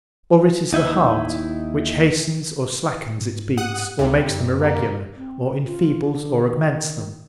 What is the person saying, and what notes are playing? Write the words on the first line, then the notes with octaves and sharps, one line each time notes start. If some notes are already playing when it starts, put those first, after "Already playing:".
Or it is the heart, which hastens or slackens its beats, or makes them irregular, or enfeebles, or augments them.
D#2 D#4 E4 E5
G#2
G4 F#5 D#6 F#6
C#2 C3 G3 D#4
F#2
A#3 G4
C4
F4
D3
D#3